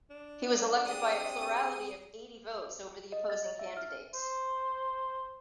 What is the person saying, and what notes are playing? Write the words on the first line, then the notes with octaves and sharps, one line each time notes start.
He was elected by a plurality of eighty votes over the opposing candidates.
D4
F#3
C4 G4 G#4 D#6
D#5
A6
A6
E5
F6
C5